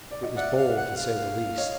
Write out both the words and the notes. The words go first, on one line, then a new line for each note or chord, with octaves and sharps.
It was bold, to say the least.
D5
D#5
D5 E5 F#5
F5
F#5
F5
C#5 D#5